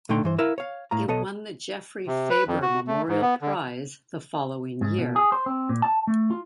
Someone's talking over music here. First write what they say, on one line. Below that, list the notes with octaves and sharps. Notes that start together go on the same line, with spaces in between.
It won the Geoffrey Faber Memorial Prize the following year.
A#2 D3 A3 D#4 G5 C6
G2 E3 C5
E4 A#4 E5 F5
C#5 F5
A2 F5 A#5
B1 B3 A4 C#5 D#5
C3
B4
F2
F#4
A3
G#2
B3
D3
G#2
B2
G#4
C5
C4
A#2
A5
A3
F4